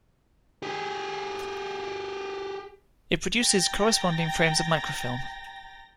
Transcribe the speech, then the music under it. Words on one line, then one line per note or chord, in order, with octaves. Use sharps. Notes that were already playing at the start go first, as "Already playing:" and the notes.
It produces corresponding frames of microfilm.
G4 G#4
G5 A#5 A6 A#6